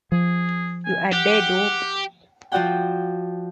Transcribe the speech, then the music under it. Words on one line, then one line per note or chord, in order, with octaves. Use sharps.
You a dead wop.
F3 G#4
G#5
G4 F#5
F3 F4 F#4 D5 F#5 G5